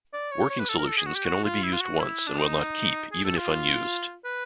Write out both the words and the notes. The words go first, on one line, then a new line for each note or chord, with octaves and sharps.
Working solutions can only be used once and will not keep even if unused.
D5
C#5
C#5
B4
A4
A#4
A4
G#4
F#4
G4
F#4
F4
E4
F4
F#4
E4
D4
D#4
G#4
A4
F4
B4